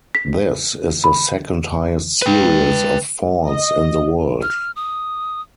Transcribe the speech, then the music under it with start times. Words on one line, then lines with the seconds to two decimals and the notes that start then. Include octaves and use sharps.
This is the second-highest series of falls in the world.
0.15 B6
1.04 B5
2.22 B4 G5
3.46 D#5
4.42 F6
4.76 D#6